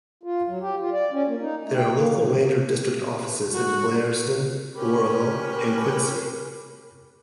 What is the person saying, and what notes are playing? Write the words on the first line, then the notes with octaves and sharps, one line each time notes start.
There are local ranger district offices in Blairsden, Oroville, and Quincy.
F4
F#3
G4
F4
D5
C#4
A#3
D#4
A3
G5
A#3
A2
F#4
C#4 G4 A#4 B4